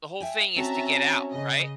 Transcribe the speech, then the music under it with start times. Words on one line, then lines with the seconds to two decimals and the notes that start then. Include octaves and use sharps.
the whole thing is to get out, right?
0.20 E5 G5 G#5
0.56 C4 C#4 F#4 E5 A5 A#5
1.32 C#3 D#5